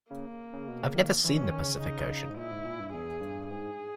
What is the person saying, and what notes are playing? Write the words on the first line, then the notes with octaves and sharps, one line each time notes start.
I've never seen the Pacific Ocean.
C#3 A#3
C#3
B2
C#3
D#3
E3 C#4
D#3
C#3
D#4
G#2
A#2 E4
G#2
A#2
G2
E2 G#4
G2
G#2 G#4